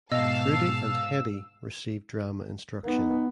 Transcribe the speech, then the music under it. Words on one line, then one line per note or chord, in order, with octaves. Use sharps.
Trudi and Hedi received drama instruction.
G#2 B2 D#5 F5 A5 E6
B3 D#4